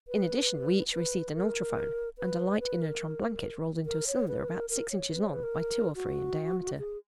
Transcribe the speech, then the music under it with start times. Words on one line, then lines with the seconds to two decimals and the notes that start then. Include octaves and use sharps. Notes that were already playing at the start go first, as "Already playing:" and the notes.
In addition, we each received an ultrophone, and a light inertron blanket rolled into a cylinder about six inches long by two or three in diameter.
0.08 B4
0.92 B4
1.34 A#4
2.18 B4
2.55 C#5
2.60 B4
2.81 A#4
3.86 A#4
4.07 C#5
4.28 B4
4.48 A#4
4.70 A#4
4.91 C#5
5.11 B4
5.22 C#5
5.33 B4
5.43 A#4
5.95 F#4
6.79 G#4